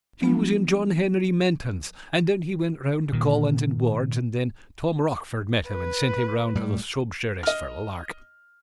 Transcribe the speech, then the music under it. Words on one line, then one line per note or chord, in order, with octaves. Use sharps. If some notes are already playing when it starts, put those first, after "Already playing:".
He was in John Henry Menton's and then he went round to Collis and Ward's and then Tom Rochford met him and sent him round to the subsheriff's for a lark.
F3 F#3 G#3 B3 D4 F4
A#2 D#3
B4
A2 G3
D#5 F6